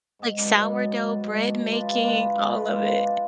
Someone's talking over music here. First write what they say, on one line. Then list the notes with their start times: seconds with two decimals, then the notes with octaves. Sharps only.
like, sourdough bread making, all of it.
0.19 G#2
0.37 F#3 B3 D4
0.54 G#2
0.69 F#3 B3 D4
0.87 G#2
1.04 F#3 B3 D4
1.20 G#2
1.37 F#3 B3 D4
1.53 G#3
1.70 D4 F4 B4
1.87 G#3
2.03 D4 F4 B4
2.19 G#3
2.36 D4 F4 B4
2.53 G#3
2.70 D4 F4 B4
2.86 F3
3.03 B3 D4